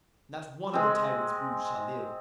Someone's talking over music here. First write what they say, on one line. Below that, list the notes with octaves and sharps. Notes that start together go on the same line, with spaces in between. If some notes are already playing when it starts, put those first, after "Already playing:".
Not one of the tyrant's brood shall live.
G#3 C4